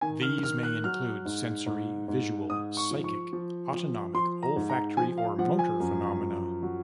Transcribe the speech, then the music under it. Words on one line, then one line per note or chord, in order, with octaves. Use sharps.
These may include: sensory, visual, psychic, autonomic, olfactory or motor phenomena.
D#3 G#5
F6
D#3 F6
F#6
F#3 F6
G#2
G#2
G#2
G#2 D#6
C#6
F3
C#6
F3
F3
F3 C6
A#5
G#2
A#5
F3 G#5
F5
F3 F#5
G#5
F#2
F3
F#3